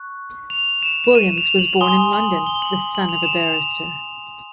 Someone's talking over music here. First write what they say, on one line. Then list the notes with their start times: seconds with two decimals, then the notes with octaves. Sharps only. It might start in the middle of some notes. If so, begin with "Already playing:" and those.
Williams was born in London, the son of a barrister.
Already playing: C#6 F#6
0.50 F7
0.83 E7
1.04 E7
1.15 D#7
1.38 F7
1.59 F#7
1.81 G#5 C6 D#6 G7
2.13 F#7
2.46 G7
2.62 F#7
2.95 F#7
3.09 F7
3.23 E7
3.37 F7